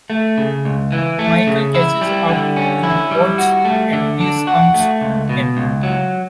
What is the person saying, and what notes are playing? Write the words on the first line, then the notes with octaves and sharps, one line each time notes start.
Michael catches up to Watts and disarms him.
A3
C#3
C#2
E3
A3
C#3
E4
G3
D3
C#4
E4
G3
F#4
A3
D3
D4
F#4
A3
C#2
B2
C#2
F#3